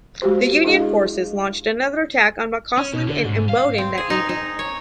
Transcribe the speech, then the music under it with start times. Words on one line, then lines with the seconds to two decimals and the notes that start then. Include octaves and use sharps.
The Union forces launched another attack on McCausland and Imboden that evening.
0.22 G#3 F#4 G4 C5
0.65 D4 E4 G#4 D#5 F5
2.78 C#4
2.93 B2
3.08 D3
3.25 G#2
3.49 F5
3.78 C4
3.98 G#4
4.10 D#4
4.29 D#4
4.59 C#5